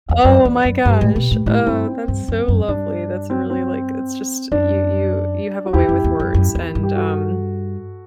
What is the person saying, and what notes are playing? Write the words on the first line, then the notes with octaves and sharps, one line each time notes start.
Oh my gosh. Oh, that's so lovely, that's a really like it's just you you you have a way with words and, um
E2
F#2 B4 D5
E2
F#2
G2 G4 B4
A2
B2
A2
A2 E4 G4
G2 C4 E4
C4
G2
F#2
F#2
G2 D4
C4
C4
F#2 D4
F#4
E2 E4 G4
F#2
E2
F#2
F#2
E2
G2
G4
F#4 A4